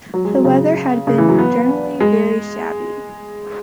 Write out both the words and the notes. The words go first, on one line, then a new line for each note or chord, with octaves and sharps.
The weather had been generally very shabby.
F#3
G#3
F#3
C#3
C#3
E3
F#3
B3
G#3